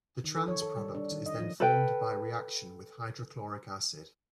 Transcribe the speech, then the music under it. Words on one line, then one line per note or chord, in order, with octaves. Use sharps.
The trans product is then formed by reaction with hydrochloric acid.
D#3
A4
C#5
A4
G3
D4
D#3
D#5
F3
A4 B4 G5